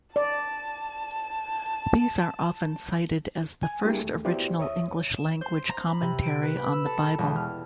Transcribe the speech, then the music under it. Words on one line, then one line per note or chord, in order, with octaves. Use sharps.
These are often cited as the first original English language commentary on the Bible.
D5 A5
G#5
G3 A#3 D4 E4 G4 G#4
D#2 A3
B3 E4 F#4 G4 C5 D5
D#2 C#5 E5 D#6
E7
C5
A#5
B5
C3
D7
B4
B5
E6
A4
E1
F6